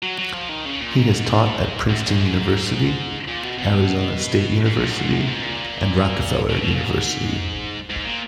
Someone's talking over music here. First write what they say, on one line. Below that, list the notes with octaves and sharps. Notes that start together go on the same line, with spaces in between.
He has taught at Princeton University, Arizona State University and Rockefeller University.
F#3
F#3
F3
D#3
C#3
A#2
G#2
F#2
F#2
G#2
A#2
B2
B2
G#2
A#2
F#2
G#2
F#2
G#2
A#2
B2
B2
A#2
G#2
G#2
A#2